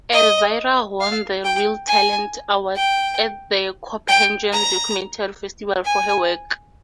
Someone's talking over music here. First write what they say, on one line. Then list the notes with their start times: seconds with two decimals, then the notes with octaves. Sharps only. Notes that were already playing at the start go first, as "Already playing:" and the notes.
Elvira won the Reel Talent Award at the Copenhagen Documentary Festival for her work.
0.13 D#5
1.01 F5
1.45 G5
1.88 G#5
2.76 G5
4.08 G5
4.53 A#5
5.85 G#5